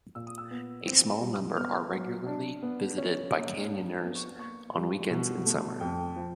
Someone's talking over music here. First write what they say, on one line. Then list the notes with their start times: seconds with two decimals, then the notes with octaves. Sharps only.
A small number are regularly visited by canyoners on weekends in summer.
0.15 A#2 E6
0.27 D#6
0.38 E6
0.51 B3
0.86 C4
1.21 G3
1.57 B3 F6
1.92 F#3
2.27 D4
2.63 B3
2.98 C#4
3.33 A#3
3.68 D4
4.04 B3
4.15 C#6
4.39 A#3 C#6
4.75 G3
5.10 B2
5.45 A3
5.80 F2 G5
6.16 F3